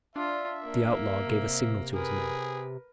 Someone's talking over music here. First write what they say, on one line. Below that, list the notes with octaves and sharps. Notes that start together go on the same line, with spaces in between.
The outlaw gave a signal to his men.
D4 F4 E5
A#3
C3
G#4 A#4 B4